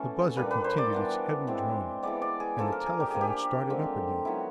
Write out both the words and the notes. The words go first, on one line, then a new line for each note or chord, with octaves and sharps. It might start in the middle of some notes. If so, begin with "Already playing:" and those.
The buzzer continued its heavy droning, and the telephone started up again.
Already playing: E3 A3 B3 C#4 A4
A#2 G3 A#3 D4 B4
B4
C5
D5
E3 G3 B3 D4
E3 G#3 C4
E3 G#3 B3 D5
D5
G#4
F3 A#3 D4 A4
A#4
G#4
G4
F3 A#3 D4 G#4
G4
D3 F3 G#3 C4
D#3 F#3 B3 E4